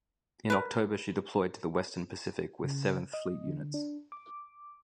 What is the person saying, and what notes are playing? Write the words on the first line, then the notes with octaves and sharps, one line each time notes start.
In October she deployed to the Western Pacific with Seventh Fleet units.
A#4 B4
C#3
D#5
D3
D4
D6